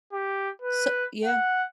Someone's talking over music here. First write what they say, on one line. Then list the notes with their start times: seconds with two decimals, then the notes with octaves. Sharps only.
So Yeah.
0.13 G4
0.62 B4
1.25 F#5